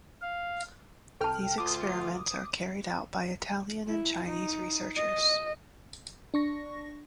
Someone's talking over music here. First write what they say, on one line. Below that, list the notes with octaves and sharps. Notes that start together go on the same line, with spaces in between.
These experiments are carried out by Italian and Chinese researchers.
F5
C2 A4 G5 A5 F6
D2 D3 F4 D6 D#6
E4
D#4
D#5
D4 C#6 A#6